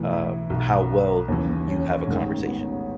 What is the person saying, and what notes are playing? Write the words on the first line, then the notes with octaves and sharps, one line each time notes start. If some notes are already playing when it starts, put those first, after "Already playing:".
uh, how well you have a conversation.
Already playing: B1 A2 E3
E4
B1 B2
D#2 C#3 E3
C#4
A1 G#2 D#3
B3